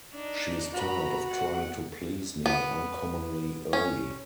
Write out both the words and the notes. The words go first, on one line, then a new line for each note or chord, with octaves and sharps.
She is tired of trying to please me uncommonly early.
D4 D#4
F#4 A#5 B5
F#5
B3
C#4